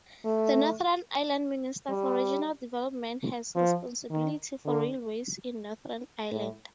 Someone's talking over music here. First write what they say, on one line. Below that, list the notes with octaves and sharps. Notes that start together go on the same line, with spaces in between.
The Northern Ireland Minister for Regional Development has responsibility for railways in Northern Ireland.
A3
G3
F3
D#3
D3
A2